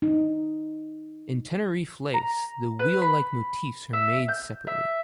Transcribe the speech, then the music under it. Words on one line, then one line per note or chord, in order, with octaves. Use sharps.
In Tenerife lace, the wheel-like motifs are made separately.
D#4
A#5
B4
B5
E5
G6
E5